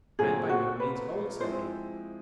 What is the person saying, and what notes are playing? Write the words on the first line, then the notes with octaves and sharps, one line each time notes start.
"I am by no means old," said he.
A#2 F#3 A3 C4 G#4
F#4
B4
F3 G#3 C4 E4 C5